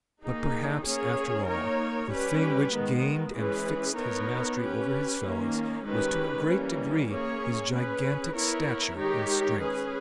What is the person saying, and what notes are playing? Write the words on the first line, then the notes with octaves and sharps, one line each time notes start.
But perhaps, after all, the thing which gained and fixed his mastery over his fellows was to a great degree his gigantic stature and strength.
D#3 A#3 D#4 G#4
A#3 C#4 G#4 C#5
A#3 D#4 A#4 C#5
G3 C#4 G4 B4
D#3 G#3 B3
E3 G#3 C#4 G#4 B4
B3 D#4 A#4 C#5
C#4 G4 B4
D#3 A#3 C#4
D#3 G#3 C#4 G4 B4
E3 G3 A#3 C#4
A#3 C#4 G#4 C#5
C#4 G#4 B4
B3 E4 A#4 C#5
D#3 G#3 D#4 G4 C#5
C#4 G#4 B4